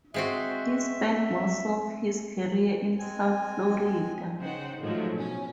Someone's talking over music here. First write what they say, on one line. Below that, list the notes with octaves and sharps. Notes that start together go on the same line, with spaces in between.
He spent most of his career in South Florida.
G#3 C4 F#4 E5
G#3 C4 G#5
C#3 D#4 C5 F#5 G5
A2 D#3 F3 F#3 G#3 A3
B2 C#4